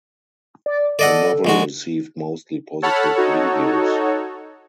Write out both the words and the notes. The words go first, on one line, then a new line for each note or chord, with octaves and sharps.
The novel received mostly positive reviews.
D5
A4 D5 D#5 F#5
A#1 G#3 F#4
A4 C#5 F#5 A5 B5 F6
D#4 F#4 A4 C#5